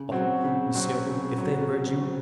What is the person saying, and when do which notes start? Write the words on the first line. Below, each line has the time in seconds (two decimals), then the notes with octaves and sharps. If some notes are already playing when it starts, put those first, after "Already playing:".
Oh! monsieur, if they heard you!
Already playing: C#3
0.11 F#3 C4 F#4
0.44 C#3
0.75 F#3 C4 F#4
1.07 C#3
1.38 F#3 C4 F#4
1.70 C#3
2.01 F#3 C4 F#4